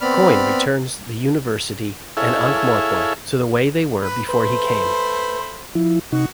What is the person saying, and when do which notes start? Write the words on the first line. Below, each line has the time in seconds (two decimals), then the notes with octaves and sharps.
Coin returns the University and Ankh-Morpork to the way they were before he came.
0.01 B3 C4 D5 B5 F6
2.17 E4 G#4 A4 C#5 E5 F5
4.02 B4 B5
4.29 A3 B4 C5 B5
5.75 F3 E4
6.12 C3 D#4 F#4